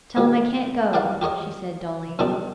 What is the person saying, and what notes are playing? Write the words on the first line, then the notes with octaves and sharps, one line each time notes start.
"Tell him I can't go," she said dully.
G#2 B2 D#3
G3 A#4 D5 F5 F#5
G4 A#4 C#5 D#5
F#2 B2 G3 D4 D#4